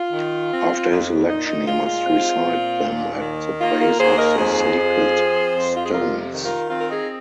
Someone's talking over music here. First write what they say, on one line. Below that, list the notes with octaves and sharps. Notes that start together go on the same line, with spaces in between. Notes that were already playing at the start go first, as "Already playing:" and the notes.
After his election he must recite them at the place of the sacred stones.
Already playing: F4
D#3
C4
F2
A#2 D#4
D#4
G#3 F4
F4
C4
A#2
D#2
D#3
A#3 F4
F4 A#4
D#2 G#4 C5
A#4 D#5
F2 G#4 C5
F3
C4
F2
F4
G#4
C3 F4 A#4
D#3
F4 A#4
C4 F4
A#4
D#4 G#4